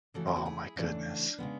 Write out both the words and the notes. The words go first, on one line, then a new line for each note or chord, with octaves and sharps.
Oh my goodness.
C#3 E3 A3 F#4 A4
E4
F#4
E4 G#4
C#3 E3 A3 D4
C#3 G#3 B3